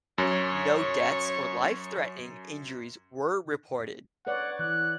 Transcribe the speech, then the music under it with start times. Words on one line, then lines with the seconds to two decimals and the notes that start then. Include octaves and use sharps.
No deaths or life-threatening injuries were reported.
0.18 F#2 C#5
4.27 B4 C#5 D5 F#5
4.59 E3 F#6